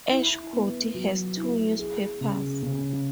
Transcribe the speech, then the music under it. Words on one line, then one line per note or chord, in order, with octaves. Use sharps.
Ashe County has two newspapers.
E4
B3
F#3
E4
G#4
C#3
C#3